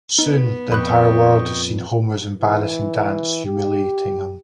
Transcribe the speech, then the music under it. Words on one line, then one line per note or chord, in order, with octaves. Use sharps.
Soon, the entire world has seen Homer's embarrassing dance, humiliating him.
B3 D#4
F2 A#2 D#5 G5 B5 C#6 F#6
E3
G4